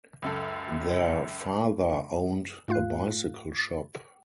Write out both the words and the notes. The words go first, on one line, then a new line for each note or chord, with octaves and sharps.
Their father owned a bicycle shop.
C#2 F#2 A4
G#2 A3 F4 F5 F#6